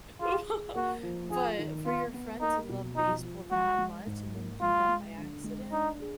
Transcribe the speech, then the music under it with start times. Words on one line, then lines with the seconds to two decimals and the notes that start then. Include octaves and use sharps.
Well, but for your friend to love baseball that much and then do that by accident,
0.20 F4 G#4
0.48 G#4
0.75 A#3 F#4
1.03 F3
1.30 F4 G#4
1.59 D#3
1.86 B3 F4
2.14 B3
2.41 A#3 D#4
2.69 B2
2.96 F3 D#4
3.24 F3
3.51 G#3 F#4
3.79 G#3
4.07 G#2
4.35 A#3
4.61 G#3 F4
4.89 G#3
5.17 D3
5.44 G#3
5.72 D4 D#4
6.00 G#4